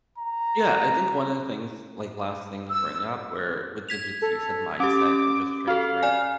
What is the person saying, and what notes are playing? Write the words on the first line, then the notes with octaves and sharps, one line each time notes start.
Yeah, I think one of the things like, last thing to bring up, where with jujitsu, you said mindset, and just transferring
A#5
E6
G#6 B6 F7
A4
C#4 G4 D6
F#4 A4 F5
D5 G#5